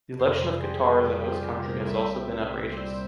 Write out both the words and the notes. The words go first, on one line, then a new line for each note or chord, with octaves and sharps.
The election of Qatar as a host country has also been outrageous.
F2 C3 G3 C5
G#4
G4
G#4
F2 C3 G3 G4
F4
G4
A#4
C2 A#2 G3 C4 E5
C2 A#2 G3 C4 C5